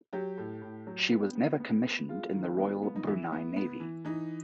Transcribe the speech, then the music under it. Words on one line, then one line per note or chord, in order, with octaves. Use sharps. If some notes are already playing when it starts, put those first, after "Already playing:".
She was never commissioned in the Royal Brunei Navy.
F#3 G4
A2
A2
F#3
B3
B3
B3
B3
G#3 F4
D#3
B3
B3
D#4
E3 E4
B3
B3
E3
E3 D#4